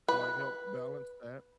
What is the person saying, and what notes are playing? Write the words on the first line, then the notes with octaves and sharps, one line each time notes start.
to, like, help balance that.
B4